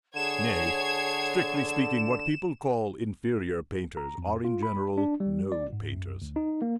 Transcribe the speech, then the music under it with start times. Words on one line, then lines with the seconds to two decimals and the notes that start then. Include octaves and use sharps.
Nay, strictly speaking, what people call inferior painters are in general no painters.
0.15 D3 G#4 C#5 F#5 A5 G#6 C7 E7
3.97 A#5
4.18 F2
4.45 F4
4.63 B5
4.98 D4
5.20 G3
5.52 D5
5.73 G#2
5.92 F#2
6.22 D2
6.36 D#4
6.62 A#3